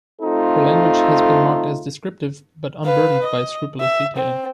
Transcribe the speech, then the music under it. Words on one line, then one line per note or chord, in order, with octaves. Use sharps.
Her language has been marked as descriptive but unburdened by scrupulous detailing.
A3 C4 D#4 F4 A4
B4 F5
D#5
E5
C4